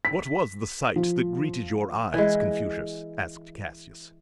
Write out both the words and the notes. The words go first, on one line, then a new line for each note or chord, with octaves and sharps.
"What was the sight that greeted your eyes, Confucius?" asked Cassius.
B6
F3
E3 G#3